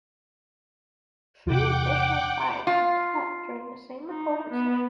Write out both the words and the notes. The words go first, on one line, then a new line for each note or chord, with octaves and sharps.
Three additional sides were cut during the same recording session.
E2 C3 F#5 G5 D6
F4
D#4
B3